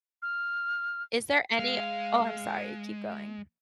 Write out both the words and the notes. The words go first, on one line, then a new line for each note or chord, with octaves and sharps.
Is there any Oh, I'm sorry keep going.
F6
G#3 F5